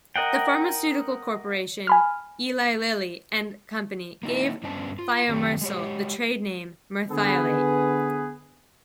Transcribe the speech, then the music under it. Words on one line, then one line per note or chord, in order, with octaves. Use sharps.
The pharmaceutical corporation Eli Lilly and Company gave thiomersal the trade name Merthiolate.
A#4 D#5 F#5 G5
G#5 B5 F6
A#3 D#4 E4
G2 B3 C#4 D4 C5 A5
F4
F#2 D#3 A3 C4 G4
G#3 G4 C#5
D3 B3 G#4 B4